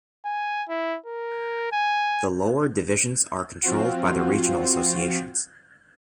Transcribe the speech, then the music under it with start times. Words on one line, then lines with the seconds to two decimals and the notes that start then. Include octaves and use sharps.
The lower divisions are controlled by the regional associations.
0.25 G#5
0.69 E4
1.06 A#4
1.72 G#5
3.62 F3 C4 F4 F#4